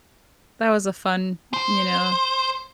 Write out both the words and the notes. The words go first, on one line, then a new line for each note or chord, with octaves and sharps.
that was a fun, you know,
C5